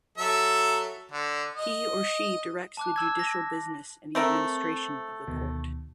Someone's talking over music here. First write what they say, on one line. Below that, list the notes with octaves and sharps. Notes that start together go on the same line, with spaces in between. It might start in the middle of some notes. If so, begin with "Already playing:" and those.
He or she directs the judicial business and the administration of the Court.
F#3 A4 E5
D3
D#5
A5 D6 F#6
E6 G#6
A#6
A3 C4 A#4 E5
D2 B2 D#3